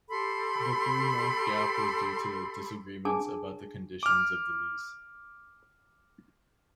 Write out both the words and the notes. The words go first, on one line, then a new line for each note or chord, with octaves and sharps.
The three-month gap was due to disagreements about the conditions of the lease.
G4 A4 B5 C6
D4 G#4 F#5 G#5 A5 D6
D6 F6